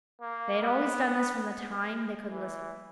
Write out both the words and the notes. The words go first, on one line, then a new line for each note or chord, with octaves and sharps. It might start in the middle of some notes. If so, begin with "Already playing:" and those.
They had always done this from the time they could lisp...
A#3
B3
B3
E3